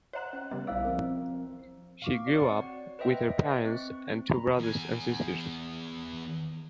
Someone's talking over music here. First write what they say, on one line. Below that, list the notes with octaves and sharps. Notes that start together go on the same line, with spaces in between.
She grew up with her parents and two brothers and sisters.
C5 C#5 D#5 F#5 A#5 F#6
C#4
C#3 G3 B3 D#5
B1 E4 C5 D5 F5 E6
F3 C4 A#4
F5 C#6 D6
C4 F#4 C#5 D5
F#5 C#7
B4 C5 D#5 E5 G5
C4 C#6 F#6
A#5 B5
E2 G#5